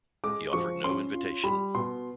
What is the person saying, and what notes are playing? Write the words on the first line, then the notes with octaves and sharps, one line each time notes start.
He offered no invitation.
G#3 D6
F3 C#6
C#4 C6
F4
G3 B5
B2 C6